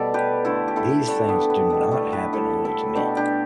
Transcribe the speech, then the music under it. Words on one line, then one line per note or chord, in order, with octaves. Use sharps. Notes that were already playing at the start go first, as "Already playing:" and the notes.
These things do not happen only to me.
Already playing: B2 E3 G3 A3 A4 D5
G4 B4
D3 A3 E4 A4
G4
E4 A4
D3 G3 A3 D4
B3
B3
B2 G3 A3
A3 D4
G4 B4
A2 G3 E4 A4
E4 A4
B2 A3 D4 G4
D4 G4